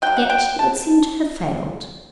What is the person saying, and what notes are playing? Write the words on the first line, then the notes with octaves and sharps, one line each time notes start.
Yet he would seem to have failed.
F#3 A#3 G5
F#5
G5
A5